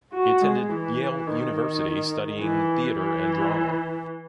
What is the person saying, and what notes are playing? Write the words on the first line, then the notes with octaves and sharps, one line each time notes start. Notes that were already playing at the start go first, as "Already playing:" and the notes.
He attended Yale University, studying theatre and drama.
F#4
G#3
E3
D#3
E3
E3